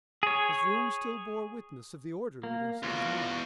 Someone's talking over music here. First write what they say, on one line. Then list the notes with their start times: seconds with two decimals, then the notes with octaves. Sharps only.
His room still bore witness of the orderliness of his mind.
0.23 G#4 C#5
2.43 A#3
2.83 E2 F4 F#4